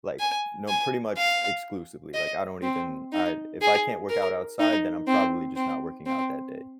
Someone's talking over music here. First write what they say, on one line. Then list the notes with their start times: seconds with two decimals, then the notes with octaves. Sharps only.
like, no pretty much exclusively, like, I don't even I if I can't work out outside, then I'm probably just not working out that day,
0.19 G#5
0.68 G#5
1.17 F5
2.14 D#5
2.63 C4
3.13 D#4
3.61 G#4
4.10 A#4
4.59 D#4
5.07 C4
5.56 C4
6.06 C4